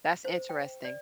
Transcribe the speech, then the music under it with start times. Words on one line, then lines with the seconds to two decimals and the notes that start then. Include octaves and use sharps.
That's interesting.
0.25 C5
0.49 G5
0.85 D5